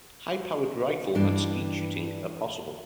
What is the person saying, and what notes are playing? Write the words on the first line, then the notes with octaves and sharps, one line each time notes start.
High-powered rifle and skeet shooting are possible.
G2 E3 D4